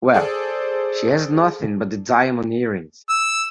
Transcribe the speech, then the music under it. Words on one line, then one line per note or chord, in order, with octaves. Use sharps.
Well, she has nothing but the diamond earrings.
G#4 A4 C5 D5
E6